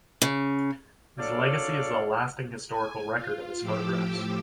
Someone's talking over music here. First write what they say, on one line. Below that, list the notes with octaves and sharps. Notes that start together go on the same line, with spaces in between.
His legacy is the lasting historical record of his photographs.
C#3
F#3 D4 A4 C#5 D5 F5
G#5
F4
A2 F3 G4 D6 E6